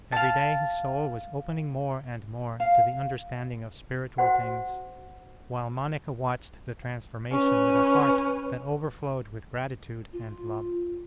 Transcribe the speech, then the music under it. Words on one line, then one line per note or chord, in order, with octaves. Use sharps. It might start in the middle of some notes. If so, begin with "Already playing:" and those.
Every day his soul was opening more and more to the understanding of spiritual things, while Monica watched the transformation with a heart that overflowed with gratitude and love.
F5 A5
F5
F#4 C5 F#5
C#4 B4
F4